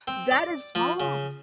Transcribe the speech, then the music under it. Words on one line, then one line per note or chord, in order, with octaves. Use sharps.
that is wrong.
C4
D5
F3
C#3